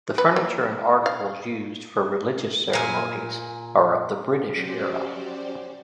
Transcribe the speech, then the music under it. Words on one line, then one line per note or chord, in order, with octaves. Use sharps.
The furniture and articles used for religious ceremonies are of the British era.
B4
A#3
F5
A#2 G#5
F#3 C#4 F#4 G4 C5 D5